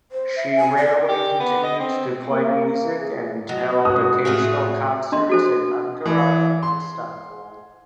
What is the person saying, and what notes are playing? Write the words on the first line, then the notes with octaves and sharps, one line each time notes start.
She rarely continued to play music and held occasional concerts in Ankara and Istanbul.
C5
E5
G#5
D5
G4
B3
D#5
C4
A#3
G#4
F#3 D#5
G#2 G3 C#4 F#4 D#6
A2 A3 F4 G#4
D4 D#5 C6
F#4 A4 C5
E3
C6